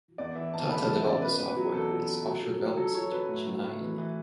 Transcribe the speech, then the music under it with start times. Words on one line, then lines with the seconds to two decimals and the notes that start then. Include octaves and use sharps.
Tata developed the software at its offshore development center in Chennai, India.
0.18 E2 D5
0.36 E3 E5
0.53 E2 A5
0.70 E3 B5
0.83 A5
0.88 E3
0.97 E5
1.05 C#3 D5
1.22 B2 B4
1.35 B4
1.40 E2
1.48 B4
1.57 F#3
1.74 E2 A4
1.91 F#3
2.09 F#3
2.26 F#3
2.43 F#3
2.60 F#3
2.77 F#3 A4
2.94 F#3 C#5
3.11 F#3 B4
3.29 A2
3.47 A2
3.63 A2
3.81 E3
3.98 E3